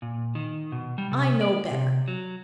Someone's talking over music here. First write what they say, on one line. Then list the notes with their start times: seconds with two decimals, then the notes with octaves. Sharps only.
I know better.
0.02 A#2
0.35 D#3
0.72 B2
0.98 G3
1.12 C3
1.41 D5
1.71 C3
2.08 F#3